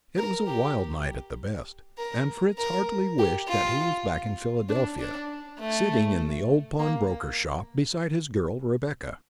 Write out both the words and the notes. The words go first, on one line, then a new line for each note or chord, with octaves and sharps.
It was a wild night at the best, and Fritz heartily wished that he was back in Philadelphia, sitting in the old pawnbroker-shop, beside his girl, Rebecca.
A#4
G4
A#4
A#4
G4
F4
D4
D4
A3
A#3